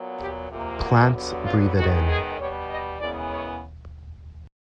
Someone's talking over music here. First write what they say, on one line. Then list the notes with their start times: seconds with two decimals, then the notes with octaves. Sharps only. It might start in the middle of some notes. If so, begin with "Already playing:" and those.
Plants breathe it in...
Already playing: A#2 F#3 B3
0.19 G4
0.50 E2 C3 F3 A#3
0.82 F#4
1.13 G2 D3 F#3 B3
1.44 F4
1.75 F#2 D#3 G#3 B3 F#4
2.07 G#4
2.38 B2 G3 B3 C#5
2.69 D#5
2.99 F#2 C#3 E3 G#3 B3 D5
3.31 C#5